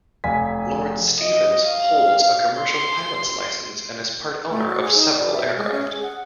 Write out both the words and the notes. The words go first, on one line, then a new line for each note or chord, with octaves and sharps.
Lord Stevens holds a Commercial Pilot's Licence and is part owner of several aircraft.
F1 F5 G#5 B6
D#5
F5
C6
A3
F#4
G#4
D#4
D5
E5
G#3
C#4
G#4
F#5